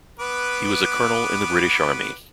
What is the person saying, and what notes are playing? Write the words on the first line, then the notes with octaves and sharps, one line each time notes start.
He was a Colonel in the British Army.
B3 B4 D6